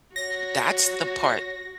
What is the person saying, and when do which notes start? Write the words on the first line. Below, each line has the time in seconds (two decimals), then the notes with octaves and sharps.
that's the part
0.16 F#4 C#5 A#6